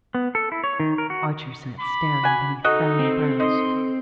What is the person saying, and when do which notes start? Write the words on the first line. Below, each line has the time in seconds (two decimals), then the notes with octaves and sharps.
Archer sat staring beneath frowning brows.
0.15 B3
0.35 A4
0.52 E4
0.64 C#5
0.80 D#3
0.98 A#4
1.10 F#4
1.80 B5 D6
2.23 F#4 G#5
2.65 D#4 F#4 A4 D#5
2.99 C4
3.40 D#4 D#5 C6